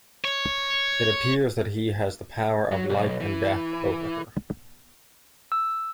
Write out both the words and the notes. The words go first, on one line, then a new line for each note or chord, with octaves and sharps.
It appears that he has the power of life-and-death over her.
C#5
F#3
B1
E3
E6